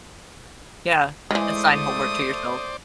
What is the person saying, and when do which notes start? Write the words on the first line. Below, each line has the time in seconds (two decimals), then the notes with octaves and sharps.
Yeah. Assign homework to yourself.
1.31 D#3 E3 G#3 A3 C5 D5 D#6